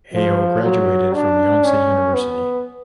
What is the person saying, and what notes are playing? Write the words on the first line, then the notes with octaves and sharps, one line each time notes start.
Heo graduated from Yonsei University.
F3
F#3
D4
C#4
B3